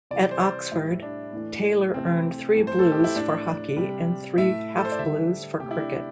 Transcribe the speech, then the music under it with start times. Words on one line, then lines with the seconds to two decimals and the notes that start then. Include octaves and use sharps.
At Oxford, Taylor earned three blues for hockey, and three half blues for cricket.
0.11 C3 E3 G3 D5
0.31 C5
0.42 D5
0.72 A2 G3 E4
1.02 D4
1.33 A2 E3 A3
1.94 C3 E3 A3 C4
2.55 A2 E3 A3
2.67 C5
2.79 A4
2.92 G4
3.04 E4
3.16 A2 A3 D4
3.77 C3 G3
4.38 A2 A3 E5
4.77 A4
4.85 C5
4.92 D5
4.99 D3 G3 E5
5.60 C3 A3 G4
5.71 E4
5.80 D4